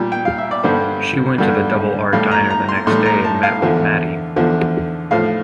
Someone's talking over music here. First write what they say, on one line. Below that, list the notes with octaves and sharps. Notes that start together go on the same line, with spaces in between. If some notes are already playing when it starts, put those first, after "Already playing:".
She went to the Double R Diner the next day and met with Maddy.
Already playing: A#2 G3
G5
F5
E5
D5
G2 D3 G3 C5
G2 D3 G3
A2 G3 F5
A#5
A#5
C6
A2 G3 C6
A#5
A5
F5
E2 D3 F3
E2 D3 F3
A2 F3 F5